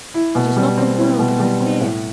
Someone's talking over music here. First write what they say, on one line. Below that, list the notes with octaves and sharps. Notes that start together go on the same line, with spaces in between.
It is not the world that I fear!
E4
B2
G3
C4
E4
B2
G3
C4
A2